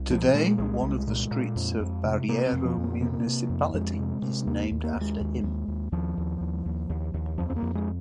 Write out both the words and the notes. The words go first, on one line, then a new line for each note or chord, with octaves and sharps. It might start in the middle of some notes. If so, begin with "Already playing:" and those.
Today, one of the streets of Barreiro municipality is named after him.
Already playing: C2
A#2 F3
A#2 G#3
C2 G#3
C2
A#2
A#2
F2
F2
C3
C3 A#3
C4
F2
F3
F2
A#3
C3 A#3
C3
F2
F2 G#3
C3
C3
D#2 A#3
D#2
A#3
D#2
G#3
D#2
D#2
D#2
D#2 F3
D#2
D#2
D#2
D#2
D#2
F2 F3
C4
A#3
F2
G#3